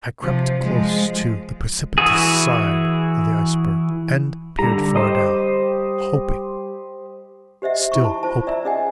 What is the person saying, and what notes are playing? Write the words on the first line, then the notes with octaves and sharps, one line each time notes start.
I crept close to the precipitous side of the iceberg, and peered far down, hoping, still hoping.
C3 F3
F3 G#3
E3 E4 F#4 G#4
D3 G3 A#5
G4 C5 D#5
G4 C5 D#5 E5 F#5
E4 C#6
A5
F4 C5 A5
D5 E5 A#5 E6
C#4 G#4 D5 D#5 F#5 G#5